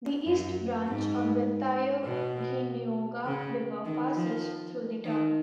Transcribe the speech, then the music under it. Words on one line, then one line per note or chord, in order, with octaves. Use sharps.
The East Branch of the Tioughnioga River passes through the town.
F#2
G#2
B2
C#3
D#3
F3
D#3